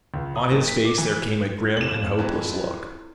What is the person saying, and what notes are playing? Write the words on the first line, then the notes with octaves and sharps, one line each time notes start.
On his face there came a grim and hopeless look.
C#2
D#6
F#1
B6
D6
E3
F2 C#4 F#4 G4 E7 F#7
E2 G#3 C4 E4 F#4